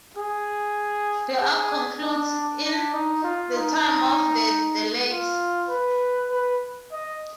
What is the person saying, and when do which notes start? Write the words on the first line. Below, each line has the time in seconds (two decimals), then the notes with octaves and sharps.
The arc concludes in "The Time of the Daleks".
0.17 G#4
1.41 G#4
2.01 D4
2.63 D4
2.94 D#4
3.23 F4
3.55 D#4
5.08 F4
5.69 B4
6.30 B4
6.92 D#5